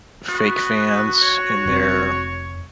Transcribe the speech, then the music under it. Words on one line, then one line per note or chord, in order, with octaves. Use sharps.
fake fans in their
B3 F#4
C#5
F1 C4